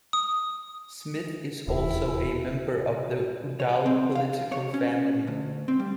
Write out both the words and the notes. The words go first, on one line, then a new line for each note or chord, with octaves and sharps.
Smith is also a member of the Udall political family.
D#6
D#1 E2 E4
C#5
C4
F5
C#5
C#4
D2
C4
G3